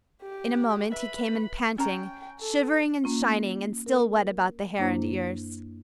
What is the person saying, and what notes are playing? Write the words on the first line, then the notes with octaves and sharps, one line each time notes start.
In a moment he came in panting, shivering, and shining, and still wet about the hair and ears.
G4
B4 E5 B5
C#4 G5 A#5
A4
A#3 C#4 F4
A#4
F#2 A#3 D4 E4 C5